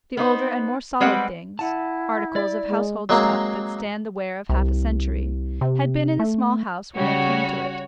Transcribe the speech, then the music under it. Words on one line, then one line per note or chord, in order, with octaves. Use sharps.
The older and more solid things,--articles of household stuff that stand the wear of half a century,--had been in the Small House when they came to it.
B3 D#4 C5
G3 G#3 C4 B4 F#5
E4 F#5 A5
D5
G#3
F#3 G#3 A#3 C4
C2
C3
A3
C#3 G3 F#4 C#5